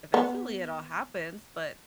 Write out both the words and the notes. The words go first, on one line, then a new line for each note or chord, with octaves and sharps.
eventually, it all happens, but
B3